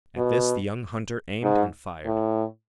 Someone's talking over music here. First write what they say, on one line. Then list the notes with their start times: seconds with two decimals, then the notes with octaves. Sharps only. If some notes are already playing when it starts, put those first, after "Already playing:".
At this the young hunter aimed and fired.
0.16 B2
1.43 G#2
2.06 A2